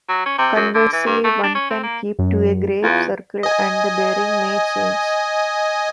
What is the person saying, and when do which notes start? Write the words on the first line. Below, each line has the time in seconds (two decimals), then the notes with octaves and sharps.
Conversely, one can keep to a great circle and the bearing may change.
0.09 F#3
0.26 C#4
0.38 C3
0.56 F#2
0.75 D3
0.93 E3
1.06 G2
1.24 A3
1.44 D4
1.55 C#4
1.71 C4
1.83 A#3
2.19 F#2
2.84 E2 F4
3.43 D#5 G#5